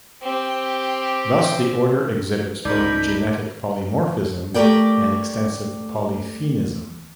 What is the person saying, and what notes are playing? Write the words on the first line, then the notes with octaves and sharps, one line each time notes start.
Thus the order exhibits both genetic polymorphism and extensive polyphenism.
C4 G4
C#2 A2 D#4 A#4 D5 B5 D6 G6
A3 G4 G#4 A#4 D5 G5